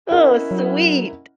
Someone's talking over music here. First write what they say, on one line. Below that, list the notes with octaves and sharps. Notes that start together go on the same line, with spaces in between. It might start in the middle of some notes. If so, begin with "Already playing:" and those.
Oh, sweet.
C#4 E4 A#4 D#5 F#5
F#3